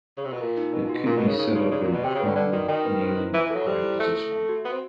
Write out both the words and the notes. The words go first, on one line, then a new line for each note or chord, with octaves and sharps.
It could be set up in a prone, kneeling or high position.
C#3
C3
B2
A#2 A#4
D#4
B2 D#4
A#2
F#4
B2
A#2 A#4
B2
D#4
C#3
C#3 D#4
C#3 F#4
C#3 D5
A#2
F#4
B2
C3 G5
C#3
D3 B4
D3 D5
D#3 F#4
D#3 G5
B4
C5
E4
E3 E5
E3 A4
F#3
G3 C5
E4
A3 E5
A4
E5
F#4
B3 F#4
C4